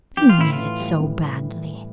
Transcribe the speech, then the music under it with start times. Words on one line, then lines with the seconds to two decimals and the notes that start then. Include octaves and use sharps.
You need it so badly....
0.17 E3 G4
0.30 F4
0.38 A2 E4
0.53 F4
0.58 E3
0.79 G3
1.00 A2